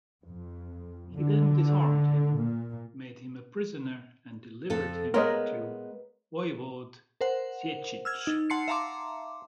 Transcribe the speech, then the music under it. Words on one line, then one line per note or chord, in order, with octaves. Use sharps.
He then disarmed him, made him a prisoner, and delivered him to Voivode Sieciech.
F2
D3
A#2
F2 A4
G#3 B3 A#4 C#5 D#5
A#4 C5 F#5
E6 F6 G#6
D#4
F#5 A5 C6 C7 C#7
E5 F5 A5 A#5 C6 D6